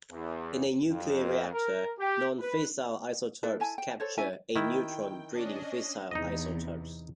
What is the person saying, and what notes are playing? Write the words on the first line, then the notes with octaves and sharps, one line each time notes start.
In a nuclear reactor non-fissile isotopes capture a neutron breeding fissile isotopes.
E2
F2
A#4
G4
B4
E4 A4 B4
E4 G#5 A5
G5
A4 C5 C#5
C#4 E4 E5 G#5
D#3 E4 G5
C#4 D4 D#5
E2 C3 D#4 D#5